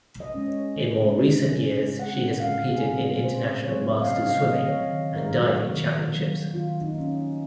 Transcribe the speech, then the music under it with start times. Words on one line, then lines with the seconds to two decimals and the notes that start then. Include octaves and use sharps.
In more recent years she has competed in international masters swimming and diving championships.
0.20 D#5
0.34 G#3 C#4
0.48 C#5
0.76 C#3
1.17 G#3 C#4
1.59 C#3
1.99 G#3 C4 F#5
2.40 C#3 F5
2.68 G#4
2.82 G#3 C4
3.23 C#3 C5
3.64 F#3 C4 C#5
4.02 F5
4.05 C#3 D#5
4.26 F5
4.46 F#3 C4 D#5
4.68 C#5
4.88 D#3
5.16 A#4
5.29 F#3 A#3
5.43 F#4
5.71 D#3
6.12 F#3 A#3
6.53 D#3 F4
6.81 D#4
6.94 A#3 C#4